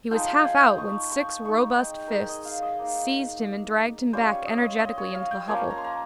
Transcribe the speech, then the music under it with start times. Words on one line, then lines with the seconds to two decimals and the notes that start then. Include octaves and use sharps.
He was half out when six robust fists seized him and dragged him back energetically into the hovel.
0.11 F3 G#3 D#4 G5
0.27 F5
0.38 G#5
0.45 G5
0.61 D#6
0.78 C#6
1.11 C#6
1.45 G#3 D#4 C#6
1.78 G5
2.08 G#4 A#4
2.29 D#5
2.45 F5
2.62 D#5
2.79 A#3 D#4
4.13 G3 C#4 F4 C5
4.30 C#5
4.46 D#5
4.63 D#5
4.80 D#5
4.98 C#5
5.15 F5
5.31 G5
5.48 F3 A#3 C#4 G#5
5.71 A#5
5.78 C6
5.84 A#5